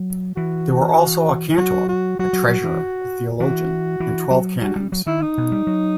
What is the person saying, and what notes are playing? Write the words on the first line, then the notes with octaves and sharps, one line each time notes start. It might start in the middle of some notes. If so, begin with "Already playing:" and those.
There were also a cantor, a treasurer, a theologian and twelve canons.
Already playing: F#3
E3 F#4
F#3 F#4
F#4
F#3 F#4
F#3
F#3 F#4
E3
E3 F#4
E3
F#3
G3 F#4
G3
F#3
D#3 E4
D#4
B2
G3
F#3